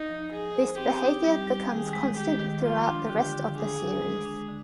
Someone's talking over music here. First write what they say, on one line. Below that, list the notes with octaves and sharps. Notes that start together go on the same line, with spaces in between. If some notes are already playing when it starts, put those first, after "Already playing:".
This behavior becomes constant throughout the rest of the series.
Already playing: D#4
F3
F3 G#4
C5
C4 G4
D#4
G3
G3
D#3 G#4
G#3
D#3 G4
D#3
F3 F4
D4
D3 G4
D3
D4 G#4
D4
G#3
D4
D3